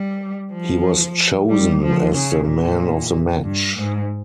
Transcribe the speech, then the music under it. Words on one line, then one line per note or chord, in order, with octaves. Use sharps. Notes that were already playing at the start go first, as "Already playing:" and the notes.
He was chosen as the Man of the Match.
Already playing: G3
F3
G3
F3
C#3
A#2
G2
G#2